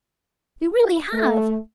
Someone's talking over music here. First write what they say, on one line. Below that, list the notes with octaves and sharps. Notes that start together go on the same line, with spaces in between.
We really have.
A3